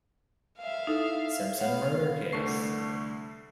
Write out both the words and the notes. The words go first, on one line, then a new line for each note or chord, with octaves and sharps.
Simpson murder case.
E5 F5
D#4 E4 A4
B3 C#5 F5 F#5
C2 D3 A3 C#6 C7